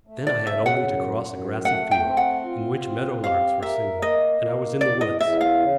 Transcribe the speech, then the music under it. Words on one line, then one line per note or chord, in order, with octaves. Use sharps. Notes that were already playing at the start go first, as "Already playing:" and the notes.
Then I had only to cross a grassy field, in which meadow larks were singing, and I was in the woods.
A3
D5
C#3 E5
F#5
F#2
F#2
A3 F#5
G5
C4
F#5
F4
C4
G4 F5
A#4 E5
A#3 D#5
A#3
E2 D5
D#5
E2 E5
F5
C#3